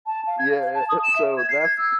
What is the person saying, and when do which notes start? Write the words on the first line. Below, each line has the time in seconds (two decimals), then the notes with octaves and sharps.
yeah, so that's
0.06 A5
0.27 F5
0.39 G#6
0.52 F5
0.75 A5
0.89 D#6
1.03 E7
1.16 E5
1.37 G#6
1.50 C7
1.63 G#6
1.78 E6